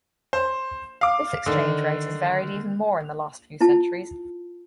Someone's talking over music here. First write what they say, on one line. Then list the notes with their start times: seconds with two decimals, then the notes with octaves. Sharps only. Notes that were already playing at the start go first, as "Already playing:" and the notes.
This exchange rate has varied even more in the last few centuries.
0.33 C5
1.01 F5 D6
1.46 D3 D#3
3.61 E4 F4 A5